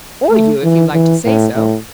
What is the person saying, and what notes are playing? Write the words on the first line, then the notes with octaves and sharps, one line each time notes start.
"Or you, if you like to say so."
A3
E3
E3
A2
A2